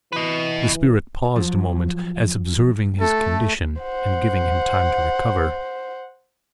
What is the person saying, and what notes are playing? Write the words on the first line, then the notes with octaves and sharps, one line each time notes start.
The Spirit paused a moment, as observing his condition, and giving him time to recover.
E3 B4 D#5
F3 F#3
A3 A4
C5 F#5